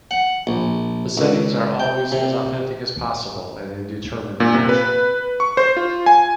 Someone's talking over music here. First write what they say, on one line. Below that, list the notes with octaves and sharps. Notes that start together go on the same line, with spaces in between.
The settings are always as authentic as possible and they determine the action.
F#5
A#1
C#2
G5
C3
A#2
C3
B4
C#6
C5
F4
G#5